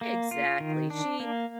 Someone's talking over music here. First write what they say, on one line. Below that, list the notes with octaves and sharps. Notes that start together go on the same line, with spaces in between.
Exactly. She,
A#3
F4
D#3
D4
A#3